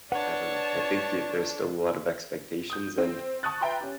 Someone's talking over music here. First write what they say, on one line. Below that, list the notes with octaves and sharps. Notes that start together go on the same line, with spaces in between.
I don't know, I think there's still a lot of expectations and
D4 B4 C#5 F#5 A5
D#6 G6
C4
A5 C#6 D#6 F#6 A6
B4 E5 G5 A#5 C6
C#4 G4